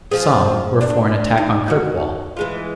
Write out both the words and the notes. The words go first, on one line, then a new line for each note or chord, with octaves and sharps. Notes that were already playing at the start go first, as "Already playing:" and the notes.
Some were for an attack on Kirkwall.
F3 C4 G#4
D4
D#4
D#4 F#4
E3 G#3 F4